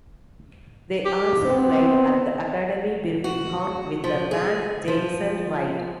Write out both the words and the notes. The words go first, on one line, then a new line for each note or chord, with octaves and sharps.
They also played at the Academy Birmingham with the band Jameson Raid.
G4
B3 C4
F#4
F3
G#4
F3